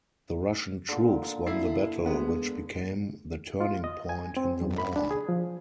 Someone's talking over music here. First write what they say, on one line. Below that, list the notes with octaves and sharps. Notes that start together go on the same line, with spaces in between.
The Russian troops won the battle, which became the turning point in the war.
A#2 D3
E4 C7
G#3 B3
F4
D#5
G#5
C4
F#2
B5
D4
G#4
F3